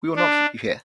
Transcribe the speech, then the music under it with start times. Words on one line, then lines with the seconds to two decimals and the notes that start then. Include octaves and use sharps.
We will not keep you here.
0.16 D4